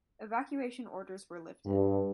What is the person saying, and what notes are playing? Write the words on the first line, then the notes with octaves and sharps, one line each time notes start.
Evacuation orders were lifted.
G2